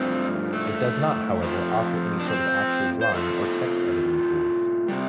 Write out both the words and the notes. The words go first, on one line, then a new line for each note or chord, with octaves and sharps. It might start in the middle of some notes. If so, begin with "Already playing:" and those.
It does not however, offer any sort of actual drawing or text-editing tools.
Already playing: G2 F3 A3 C4
A3
F2 F3 A3
D4
C4
C5
A2 A3 F4 A4
C3 G3